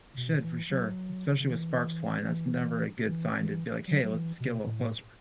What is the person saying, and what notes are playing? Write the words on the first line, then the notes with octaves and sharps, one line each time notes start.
It should for sure, especially with sparks flying. That's never a good sign to be, like, "Hey, let's get a little closer."
B2
E3
F#3
C#3
E3
E3
E3
F#3
F#3
E3
B2
A2